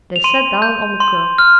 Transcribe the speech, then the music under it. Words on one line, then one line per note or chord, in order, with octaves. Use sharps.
They sat down on the curb.
F7
C6 D#7
G6
C6
F6